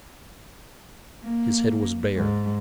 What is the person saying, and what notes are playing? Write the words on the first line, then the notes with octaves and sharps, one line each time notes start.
His head was bare.
A#3
G#2